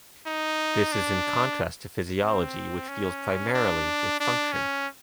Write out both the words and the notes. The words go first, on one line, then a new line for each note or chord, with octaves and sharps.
This is in contrast to physiology, which deals primarily with function.
D#4
D4
C4
C#4
D4
D4
C#4